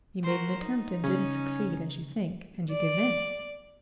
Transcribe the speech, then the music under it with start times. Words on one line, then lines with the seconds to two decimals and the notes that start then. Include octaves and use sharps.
You made an attempt and didn't succeed, as you think, and you give in.
0.23 F#4 A#4 C5
0.59 D#4
1.04 C#3 C#4
2.72 D5